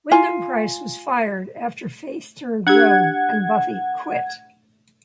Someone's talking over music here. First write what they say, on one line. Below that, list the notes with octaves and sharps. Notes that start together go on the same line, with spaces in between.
Wyndam-Pryce was fired after Faith turned rogue and Buffy "quit".
F4 G#5
D4 G4 F#5 G#6